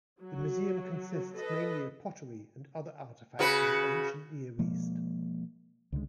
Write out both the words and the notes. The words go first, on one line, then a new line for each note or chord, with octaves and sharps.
The museum consists mainly of pottery and other artefacts from the Ancient Near East.
F#3
A4 B4 D#5
C#3 F#4 B4
B2 F3 G#3 A#3
C#2 D3 D#3 G#3